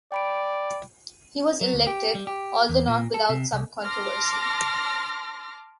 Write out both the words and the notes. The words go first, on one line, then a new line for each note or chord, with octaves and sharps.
He was elected although not without some controversy.
D5 G5 B5 D7
F#3
D2
G4
G3
G4
E2
A#2
A4
C3
C2
A5 C6 D6 F6 A#6